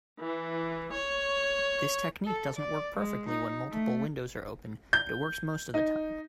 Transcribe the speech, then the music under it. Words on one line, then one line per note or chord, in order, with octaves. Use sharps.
This technique doesn't work perfectly when multiple windows are open, but it works most of the time.
E3
C#5
A4
D5
G#3
D#4
A3
G6
D#4